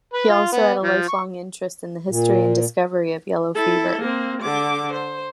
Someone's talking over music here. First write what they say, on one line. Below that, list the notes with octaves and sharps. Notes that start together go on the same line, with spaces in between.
He also had a lifelong interest in the history and discovery of yellow fever.
B4
F4
B3
F3
C#6
A#2
E4 A4
A#3 C4
D3 D6
C5